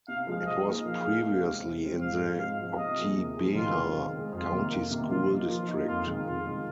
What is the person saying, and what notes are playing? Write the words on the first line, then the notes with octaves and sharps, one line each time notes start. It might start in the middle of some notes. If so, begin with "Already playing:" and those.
It was previously in the Oktibbeha County School District.
C3 F5
F3 G#3 C4
F3 D#5
A#3 D#4 G#4
F3 F5
A#3 D#4 G#4
C3
G#3 C4
C3
G#3 C4
G#2 F5
F3 C4
G#2 F5
F3 C4
C3 D#5
F3 A#3 G#4
C3
F3 A#3 G#4
D#3 F4
G#3 C4
D#3
G#3 C4
F2 F4
C3 D#3 A#3
F2
C3 D#3 A#3
F3 F4
A#3 D#4
F3 F4
A#3 D#4
F2 F4
D#3 G#3 D#4
F2 F4
D#3 G#3 D#4